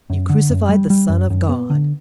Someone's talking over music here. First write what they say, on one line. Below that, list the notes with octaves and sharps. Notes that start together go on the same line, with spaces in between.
You crucified the Son of God.
F#2
D3
F#2
G3
G3
F#2
F#2
B3
D3